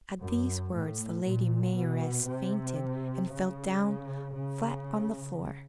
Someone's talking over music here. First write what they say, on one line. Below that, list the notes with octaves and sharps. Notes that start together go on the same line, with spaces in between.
At these words the Lady Mayoress fainted and fell down flat on the floor.
F#2
A2
A#2
B2
C3
C#3
C#3